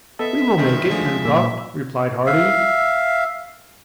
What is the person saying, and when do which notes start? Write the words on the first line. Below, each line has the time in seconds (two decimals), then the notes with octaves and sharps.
"We will make it, Pencroft," replied Harding.
0.19 B3 A4 D#5 E5
0.58 F#2 A2 D#3
0.90 F3 G#3 A3 D4
1.25 A#2 D6 E6
2.26 E5 F5